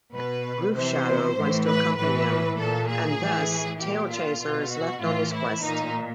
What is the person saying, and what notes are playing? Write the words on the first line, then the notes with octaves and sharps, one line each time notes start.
Roofshadow wants to accompany him, and thus, Tailchaser is left on his quest.
B2 B4
C3 E3 C5
A2 E3
B4
A2 E3 B4
A#2 A4
G#4
A2 E3
A#2 G4
F4
B2 F4
F#4
A2 E3 F4
E4
A#2 D#4